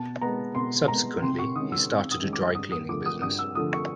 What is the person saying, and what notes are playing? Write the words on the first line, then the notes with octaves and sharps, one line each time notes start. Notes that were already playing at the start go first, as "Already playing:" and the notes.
Subsequently, he started a dry-cleaning business.
Already playing: B2 A5
G#3 B3 A#5
B2 C6
G#3 B3 A#5
C3 C6
C#6
D#3 G#3 C#4 D#6
E6
C3
D#6
D#3 G#3 C#4
D6
G2 D#6
D#6
D3 F3 A3 D6
D#6
G2 D#6
E6
D3 F3 A3 D#6
C#6